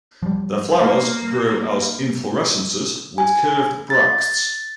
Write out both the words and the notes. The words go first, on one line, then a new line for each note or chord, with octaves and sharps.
The flowers grow as inflorescences with curved bracts.
F3 G3
A#3
G#5
A6